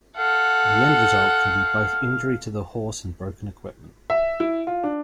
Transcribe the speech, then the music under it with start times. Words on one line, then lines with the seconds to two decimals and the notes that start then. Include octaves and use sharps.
The end result can be both injury to the horse and broken equipment.
0.17 A4 F5 F#5
4.10 E5
4.40 E4
4.67 F4
4.83 D4